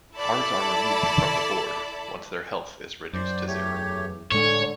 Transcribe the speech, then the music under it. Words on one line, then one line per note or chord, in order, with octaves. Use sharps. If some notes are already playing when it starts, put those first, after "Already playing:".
Cards are removed from the board once their health is reduced to zero.
E4 A4 D5 A5 B5
F#2 C5 D5
E2 A3 G4 C#5
A2 D3 G#3 C4 C#5